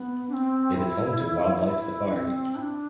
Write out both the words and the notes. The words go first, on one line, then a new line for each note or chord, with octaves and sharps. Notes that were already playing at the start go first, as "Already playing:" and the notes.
It is home to Wildlife Safari.
Already playing: B3
D4
C4
E4
E4
D4
C4
E4
D4